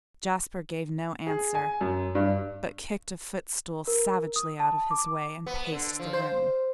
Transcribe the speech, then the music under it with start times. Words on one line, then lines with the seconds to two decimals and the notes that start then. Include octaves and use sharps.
Jasper gave no answer, but kicked a footstool savagely out of his way and paced the room.
1.27 G#4
1.55 G#5
1.81 F#2
2.15 G2
3.88 A#4
4.36 D#6
4.60 A5
4.91 D6
5.46 B3
5.72 D3
6.00 F3
6.13 C5